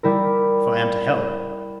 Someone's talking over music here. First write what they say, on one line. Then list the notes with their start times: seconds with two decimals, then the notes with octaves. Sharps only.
"If I am to help...."
0.03 G3 E4 A#4